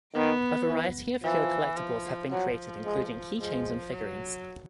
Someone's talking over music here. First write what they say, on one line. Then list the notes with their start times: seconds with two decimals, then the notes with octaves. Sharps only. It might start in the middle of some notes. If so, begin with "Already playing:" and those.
A variety of Kyo collectibles have been created, including key chains and figurines.
0.14 D#3 B3
0.68 E3
1.23 E3 F3
1.77 F3
2.31 F3 F#3
2.85 G#3
3.40 F3 G#3
3.94 F#3